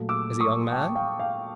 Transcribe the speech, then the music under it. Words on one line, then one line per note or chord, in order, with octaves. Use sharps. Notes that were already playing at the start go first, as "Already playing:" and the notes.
"As a young man?"
Already playing: A#2 F#3 A3
D6 E6
C#6 D#6
G5 A5
F5 G5
F5 G5